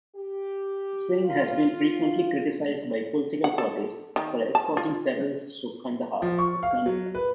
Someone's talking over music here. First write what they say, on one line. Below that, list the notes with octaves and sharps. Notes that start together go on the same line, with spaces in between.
Singh has been frequently criticized by political parties for escorting terrorists to Kandhahar, Afghanistan.
G4
F4
F#5
A4
D#3
A5
F4
F3
C#6
F5
F#3
B4